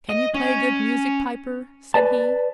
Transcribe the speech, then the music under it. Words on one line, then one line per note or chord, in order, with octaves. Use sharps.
"Can you play good music, piper?" said he.
D#5
C#4
B4 D5 A5